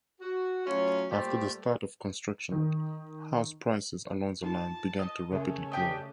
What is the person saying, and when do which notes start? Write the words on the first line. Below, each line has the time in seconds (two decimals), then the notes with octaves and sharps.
After the start of construction, house prices along the line began to rapidly grow.
0.21 F#4
0.66 F#3 A3 C#4 F4 C#5
1.11 A#2 G3 A3 G4 C5 G5
2.52 D#3
4.43 D#4 F4 A5
4.99 D#5
5.32 C#3 A3 C#4 A#4 E5
5.72 D4 G4 D#5